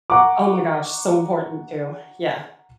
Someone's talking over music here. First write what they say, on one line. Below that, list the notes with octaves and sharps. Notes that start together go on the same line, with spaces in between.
Oh my gosh, so important too, yeah.
F#5 A#5 C#6 D6